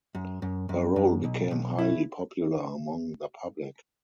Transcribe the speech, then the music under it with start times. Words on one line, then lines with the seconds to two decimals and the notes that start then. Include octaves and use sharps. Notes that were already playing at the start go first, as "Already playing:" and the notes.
Her role became highly popular among the public.
0.15 F#2
0.42 F#2
0.69 F#2
0.96 F#2
1.24 B1
1.51 B1
1.79 E4